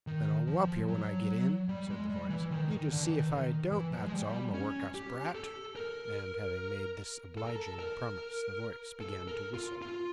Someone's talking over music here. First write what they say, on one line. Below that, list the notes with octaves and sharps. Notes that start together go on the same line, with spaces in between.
'Then I'll whop yer when I get in,' said the voice; 'you just see if I don't, that's all, my work'us brat!' and having made this obliging promise, the voice began to whistle.
D#3
F3
F#3
G3
G#3
G3
E3
D#3
D#3
D3
E3
D#3
D#3
E3
F3
G#3
G3
C#4
G4
A4
A#4
A4
A#4
A4
A#4
A4
A#4
F4
F4